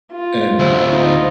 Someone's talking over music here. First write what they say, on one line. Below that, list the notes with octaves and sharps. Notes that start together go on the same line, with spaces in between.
And, um
F4
D2 E4 C5
D#4 F4